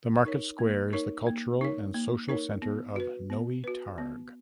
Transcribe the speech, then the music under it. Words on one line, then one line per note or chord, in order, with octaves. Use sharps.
The Market Square is the cultural and social center of Nowy Targ.
D#4 A#4 C#5
A#3
D#4 A#4 C#5
A#3
D#4 A#4 C#5
A#3
D#4 A#4 C#5
B3
F#4 B4
B3
F#4 B4
B3